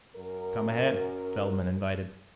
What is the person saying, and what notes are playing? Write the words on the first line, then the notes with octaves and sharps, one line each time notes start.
"Come ahead," Feldman invited.
F#2 A#4